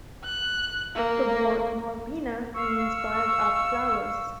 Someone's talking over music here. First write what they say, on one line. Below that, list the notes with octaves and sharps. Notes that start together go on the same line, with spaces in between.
The word "Moribana" means "piled up flowers".
F#6
A#3
F5 C#6 E6